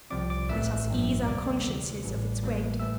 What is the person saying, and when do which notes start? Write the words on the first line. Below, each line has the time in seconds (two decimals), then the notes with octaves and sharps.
Let us ease our consciences of its weight.
0.10 C2 C3 F3 C4 D5 D6
0.30 D5 D6
0.49 A1 A2 E3 A3 E5 E6
0.88 A1 G2 F3
1.26 D2 C3 G3 A#3 D5 D6
1.65 D2 C3 E3
2.03 A1 A2 E3 G3
2.41 A1 A2 E3 G3 A#3
2.79 A2 E3 A3 E5 E6